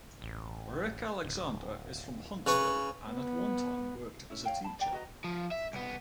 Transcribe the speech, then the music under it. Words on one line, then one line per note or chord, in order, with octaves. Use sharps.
Rick Alexander is from Huntsville and at one time worked as a teacher.
A1
D1
C#3 B4 C#6
B3
C#4 E4
C#5 F5 G5
A5 B5
D5 G5 A#5
F#4 B4 D#5 A#5
F3
E5
C2 B3